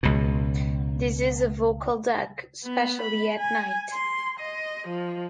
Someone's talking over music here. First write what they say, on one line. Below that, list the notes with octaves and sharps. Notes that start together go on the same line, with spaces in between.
This is a vocal duck, especially at night.
C#2 B2
B3
B5
G#5
C6
D#5
F3